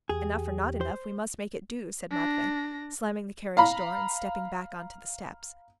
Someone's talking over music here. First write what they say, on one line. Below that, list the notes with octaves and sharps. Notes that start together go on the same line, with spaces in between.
"Enough or not enough, we must make it do," said Matvey, slamming the carriage door and stepping back onto the steps.
E2 G4 G#4
C5
D4 A#6
F5 A#5 B5